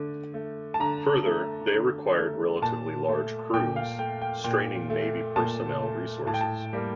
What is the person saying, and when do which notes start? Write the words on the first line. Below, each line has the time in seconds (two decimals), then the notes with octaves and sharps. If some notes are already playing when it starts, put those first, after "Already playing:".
Further, they required relatively large crews, straining Navy personnel resources.
Already playing: D3 A3
0.34 A3
0.74 A5
0.80 D3 A#5
1.25 A3
1.71 D3
2.17 A3
2.62 A#2 A5
3.08 A3
3.54 A#2 G5
3.76 F5
3.99 A3 G5
4.21 G5
4.44 A#2 G5
4.90 A3
5.36 A#2 A5
5.82 A3
6.26 A2 A5
6.34 G5
6.41 A5
6.73 G3 A#3